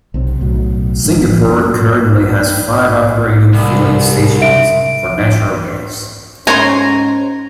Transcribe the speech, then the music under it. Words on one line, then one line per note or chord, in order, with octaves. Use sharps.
Singapore currently has five operating filling stations for natural gas.
B1 C3 C4
B1 A2 F#3
F#1 G#2 E3
F#2
C2
E5 D7
G#2 A3 C#4 C#5 G#5 A#5 C6